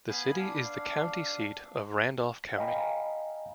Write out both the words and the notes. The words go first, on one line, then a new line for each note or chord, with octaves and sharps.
The city is the county seat of Randolph County.
B3 F5 G#5 B5
D4 F5
D#5 F5 G5 G#5 A#5 B5